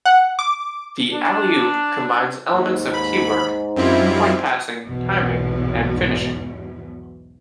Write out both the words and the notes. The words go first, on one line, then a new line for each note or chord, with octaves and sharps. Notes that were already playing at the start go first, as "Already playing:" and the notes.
The alley-oop combines elements of teamwork, pinpoint passing, timing and finishing.
F#5
D6
D4
D#2 G#2
B5
F#2 C4 E4 F4 G4
B1 E2 G#2 B2